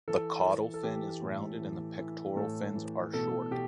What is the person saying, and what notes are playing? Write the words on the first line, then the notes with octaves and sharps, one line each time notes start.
The caudal fin is rounded and the pectoral fins are short.
E3 A4
E3
A4
E3 G4
A2
E3
E3
A2 A4
E3
B2 A4
B2 G4